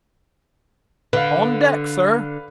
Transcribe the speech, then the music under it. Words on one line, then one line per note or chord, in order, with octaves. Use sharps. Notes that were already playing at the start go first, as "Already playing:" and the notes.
"On deck, sir."
D3 B4 F5